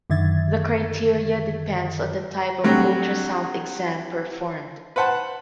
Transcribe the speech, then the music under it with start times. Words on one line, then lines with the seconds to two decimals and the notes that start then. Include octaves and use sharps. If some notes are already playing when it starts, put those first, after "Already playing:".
The criteria depends on the type of ultrasound exam performed.
0.10 F#2 D3 D#3 E5 G#6 A6
2.64 A2 D3 F#3 G3 C4
4.96 B4 C5 F#5 A5